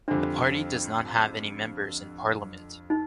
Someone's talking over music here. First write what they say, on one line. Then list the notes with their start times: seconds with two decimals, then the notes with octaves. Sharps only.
The party does not have any members in parliament.
0.08 F2 D3 G3 C4 D4
2.90 D#4